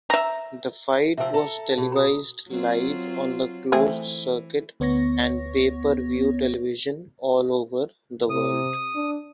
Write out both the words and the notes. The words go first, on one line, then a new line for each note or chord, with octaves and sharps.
The fight was televised live on closed-circuit and pay-per-view television all over the world.
E5 A#5
C3 F3 E5 E6
A4 A#5
B2
A#5 D#6
F#3 C4 F4
E3 A3 C4 G#4
D2 B3 C#5 C#6 A#6
C3 D#6
D4